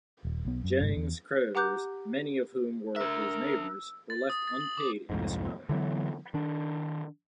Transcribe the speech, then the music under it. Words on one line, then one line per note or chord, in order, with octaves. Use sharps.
Jennings's creditors, many of whom were his neighbors, were left unpaid and disgruntled.
D#1
B1 B3
F#2
G1 G2 C3 G#3
E2
G4 F#5 A#5 D6 F#6 G6
D4 A#4 E5 E6
A6
D#6
A6
F#7
D6
C2 F2 G#2
D3 E3 F#3 B3
D#3 D4